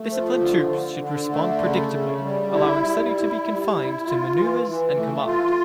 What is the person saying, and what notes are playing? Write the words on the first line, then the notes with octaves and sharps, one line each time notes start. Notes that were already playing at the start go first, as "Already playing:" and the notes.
Disciplined troops should respond predictably, allowing study to be confined to maneuvers and command.
Already playing: A3
F3
D3
D3
D3
A3
C#3
C#3
G3
E4
G3
E4
G3
E4
F4
E3
E3
A3
F4